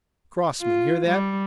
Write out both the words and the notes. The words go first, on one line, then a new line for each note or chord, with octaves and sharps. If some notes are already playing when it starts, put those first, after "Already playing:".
Crossman! hear that?
F4
G3